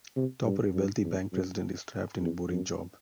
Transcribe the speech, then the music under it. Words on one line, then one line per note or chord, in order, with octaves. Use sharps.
Topper, a wealthy bank president, is trapped in a boring job.
C3
G2
F#2
E2
F#2
E2
F#2